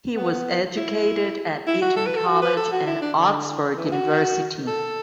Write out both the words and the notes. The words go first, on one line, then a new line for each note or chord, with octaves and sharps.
He was educated at Eton College and Oxford University.
B3
E4
E4
F#4
A4
B4
A4
F#4
B4
A4
F#4
E4
D4
D3
E3
F#4
A4